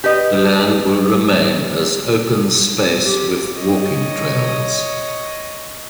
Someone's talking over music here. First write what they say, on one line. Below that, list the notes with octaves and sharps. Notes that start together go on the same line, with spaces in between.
The land will remain as open space with walking trails.
G4 B4 D#5
G4
C#5 D#5